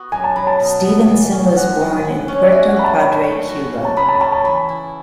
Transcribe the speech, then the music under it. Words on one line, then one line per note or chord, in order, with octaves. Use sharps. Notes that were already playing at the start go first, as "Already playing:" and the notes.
Stevenson was born in Puerto Padre, Cuba.
Already playing: B3 F#4
F#2 G#5
A5
F#3 B5
A5
B2
B3
E3
C#4
F#2 F#5
G#3
E4
C#4
D5
F#4 E5
F#5
C#4 B5
A5
C#4 B5
A3
F#4
C#4
A5
C#3 B5
A5
B5
C#4 A5
A5
E3 B5
E4